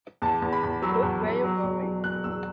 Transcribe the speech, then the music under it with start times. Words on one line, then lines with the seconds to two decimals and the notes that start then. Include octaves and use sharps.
Look where you're going!
0.22 E2 A5
0.42 E2
0.53 B5
0.63 E2
0.82 F#3 E6
1.03 E2
1.23 E2
1.43 F#3
1.63 E1
1.83 F#3
2.04 E1 F#6
2.24 E2 E6